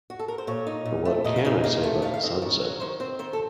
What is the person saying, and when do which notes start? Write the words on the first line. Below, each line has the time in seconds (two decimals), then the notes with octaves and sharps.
But what can I say about the sunset?
0.10 F#4
0.19 A4
0.28 A#4
0.38 C5
0.47 A#2 C#5
0.67 D#4
0.85 A#2
1.05 A3
1.24 A#2 D#5
1.36 F5
1.45 D#4 D#5
1.64 A#2 F5
1.83 A3
2.02 D#3 F5
2.14 F5
2.23 C4 D#5
2.42 D#3
2.61 F#3
2.80 D#3 C5
3.00 C4 C5
3.19 D#3 C5
3.33 A4